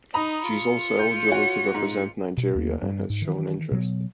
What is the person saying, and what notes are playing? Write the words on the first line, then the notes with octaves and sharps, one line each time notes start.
She is also eligible to represent Nigeria and has shown interest.
D#4 A#5 B5 D#6
F4 C#7
G6
F#4 C#5
G#2
B2
D#2 A#3
G2
G#2
D#3 E3
B2 F#3 B3